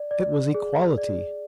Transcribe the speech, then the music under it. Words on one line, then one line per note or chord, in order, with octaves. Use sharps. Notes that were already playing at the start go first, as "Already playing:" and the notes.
It was equality.
Already playing: D5
D5
G#4
D5